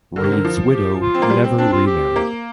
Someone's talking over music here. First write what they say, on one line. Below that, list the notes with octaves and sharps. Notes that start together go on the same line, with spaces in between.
Reid's widow never remarried.
D3 A#4
C3
D3
F3
G4
F4
C4
A#3
G3
C4
C4 D4
F4
G4
A#3